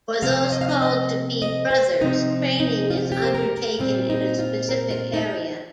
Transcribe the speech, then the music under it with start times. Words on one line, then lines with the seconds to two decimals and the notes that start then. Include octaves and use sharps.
For those called to be brothers, training is undertaken in a specific area.
0.22 C3 F3 C4 F5
0.52 D#5
0.61 F5
0.69 D#5
0.82 D#5
1.42 D#5
1.71 C5
2.01 C3 F3 C4 D#4
2.60 D#4
2.90 F4
2.98 G4
3.05 F4
3.12 G4
3.25 C5
3.35 A#4
3.57 A#4
3.79 A#2 G3 C4 F4
4.10 D#4
4.39 F4
4.69 A#4
4.91 F4
5.14 D#4